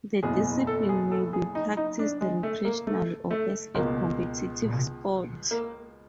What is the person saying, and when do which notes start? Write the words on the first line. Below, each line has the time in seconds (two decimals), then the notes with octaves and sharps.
The discipline may be practiced recreationally or as a competitive sport.
0.23 F#1 E2 B2 G#4
0.45 G#4
0.67 A4
0.89 G#4
1.11 A4
1.33 G#4
1.55 D#4
1.77 D#4
1.99 D4
2.21 G#3
2.43 A3
2.65 A#3
2.87 A3
3.31 A3
3.75 C#2 B2 A#3
5.51 A#3